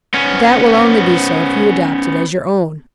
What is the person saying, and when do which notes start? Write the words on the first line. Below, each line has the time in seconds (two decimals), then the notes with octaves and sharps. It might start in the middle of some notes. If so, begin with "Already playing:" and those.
But that will only be so if you adopt it as your own.
0.14 B3 C#4